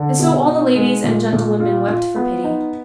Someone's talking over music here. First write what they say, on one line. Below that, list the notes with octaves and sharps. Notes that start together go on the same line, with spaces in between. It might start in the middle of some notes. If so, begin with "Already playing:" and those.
And so all the ladies and gentlewomen wept for pity.
Already playing: D3
B2
D#4
G#3
A#2
A#2
F4
F4
B3
D#4